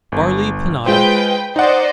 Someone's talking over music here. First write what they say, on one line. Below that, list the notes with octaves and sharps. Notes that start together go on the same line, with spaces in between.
Barley Panada.
G1
G#3 F4 B4 C5 G5
D#4 C5 D5 D#5 F#5